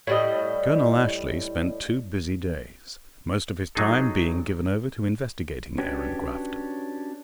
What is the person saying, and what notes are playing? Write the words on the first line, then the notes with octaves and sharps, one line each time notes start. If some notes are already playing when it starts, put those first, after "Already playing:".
Colonel Ashley spent two busy days, most of his time being given over to investigating Aaron Grafton.
A2 G3 D#5
F#3 D#4 G#4 A4
C#4 D4 F#4 G4 B4 C#5